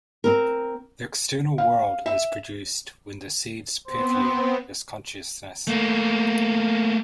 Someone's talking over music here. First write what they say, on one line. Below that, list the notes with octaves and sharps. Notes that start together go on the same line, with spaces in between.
The external world is produced when the seeds "perfume" this consciousness.
C4 A#4
F5
E5
B3 C4 C5
A3 A#3